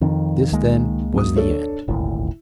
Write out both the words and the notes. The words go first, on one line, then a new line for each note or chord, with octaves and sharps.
This, then, was the end.
F2 D#3
C#2 G#3 A#3
F#2 D#6
D4 A4 C#5
D#1 G#1 D2 E4